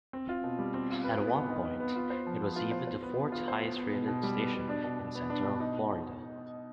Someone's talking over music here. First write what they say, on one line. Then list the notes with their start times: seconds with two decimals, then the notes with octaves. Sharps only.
At one point, it was even the fourth-highest rated station in Central Florida.
0.13 C4
0.29 F4
0.44 B2
0.59 G3
0.74 C4
0.90 F4
1.04 B4
1.20 B3
1.35 B3
1.50 D#4
1.65 B4
1.80 B3
1.96 F4
2.10 C5
2.27 F3
2.41 B3
2.56 F4
2.72 C5
2.87 C5
3.02 B3
3.17 B3
3.32 F4
3.48 C5
3.62 B3
3.78 B3
3.93 B2
4.08 B2
4.23 G3
4.39 B3
4.54 B2
4.69 D4
4.84 B2
4.99 B2
5.15 B3
5.30 D4
5.45 B2
5.60 D#4